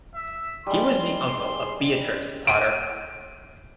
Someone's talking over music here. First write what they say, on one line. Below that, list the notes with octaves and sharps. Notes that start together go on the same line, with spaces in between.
He was the uncle of Beatrix Potter.
E5
G3 G#3 C6
D7 D#7